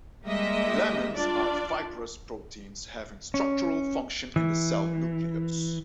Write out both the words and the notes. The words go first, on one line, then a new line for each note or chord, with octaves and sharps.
Lamins are fibrous proteins having structural function in the cell nucleus.
G3 G#3 A#3 G4 D#5 E5
D4 F4 D5
C#4
E3